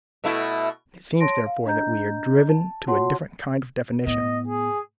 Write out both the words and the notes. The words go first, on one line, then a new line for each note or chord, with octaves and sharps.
It seems, therefore, that we are driven to a different kind of definition.
B2 A3 E4
C#5 A5 C6 A#6 D7
F5
D4 D#5 A#5 G6
A5
F4 F#4 C#5 F#5 A5 C6
A2 B3 D#5
G#4